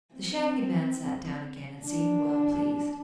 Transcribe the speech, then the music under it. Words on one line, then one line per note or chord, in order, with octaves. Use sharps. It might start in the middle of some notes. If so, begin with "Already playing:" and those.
The Shaggy Man sat down again and seemed well pleased.
C4
D4